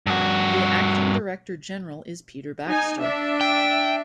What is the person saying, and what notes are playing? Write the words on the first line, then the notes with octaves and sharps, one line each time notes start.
The Acting Director General is Peter Baxter.
G2 F#4
D#4 G#5
D4 E5
G5